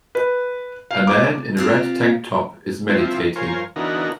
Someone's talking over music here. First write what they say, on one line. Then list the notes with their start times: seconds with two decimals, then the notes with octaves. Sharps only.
A man in a red tank top is meditating.
0.15 B4
0.91 F5
1.07 D6
1.57 C4 F4 G4
2.89 F3 C4 E4
3.36 F4 A#4 C5 C#5 G#5
3.76 D3 E3 B3 D#4 F#4 A#4